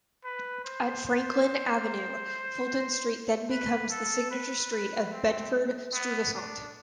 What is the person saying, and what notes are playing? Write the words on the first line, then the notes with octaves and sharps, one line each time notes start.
At Franklin Avenue, Fulton Street then becomes the signature street of Bedford-Stuyvesant.
B4
C5
C5
B4
A4
B4
B4
C4
B3
D4